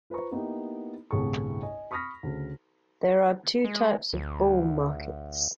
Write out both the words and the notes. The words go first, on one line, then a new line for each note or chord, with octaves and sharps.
There are two types of bull markets.
F4 B4 C5 A#5 C#6
A#3 B3 D#4 E4 G4
G1 C2 A2 G#4 A5 C#6
D#5 G#5
B5 C#6 D#6 F6 A#6 B6
D2 C#3
G#3
D2